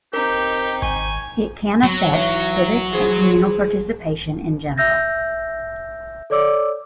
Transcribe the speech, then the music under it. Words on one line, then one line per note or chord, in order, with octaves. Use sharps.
It can affect civic and communal participation in general.
C4 D#4 G4 A#4
G#1 G#5 C#6
F#3
E3 D#4
E3 G#4 C5
E5 E6 G6 A#6
A4 C#5 D5 D6 E6